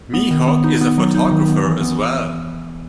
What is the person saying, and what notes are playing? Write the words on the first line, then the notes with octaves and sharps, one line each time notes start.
Mihok is a photographer as well.
B3
D#3
B3
D#4
B3
F#3
D#4
D#3
B3
E3
B3